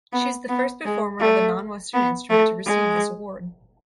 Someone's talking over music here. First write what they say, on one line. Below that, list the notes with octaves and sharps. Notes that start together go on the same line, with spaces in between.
She is the first performer of a non-Western instrument to receive this award.
B3
B3
G#3
A3
B3
A3
G#3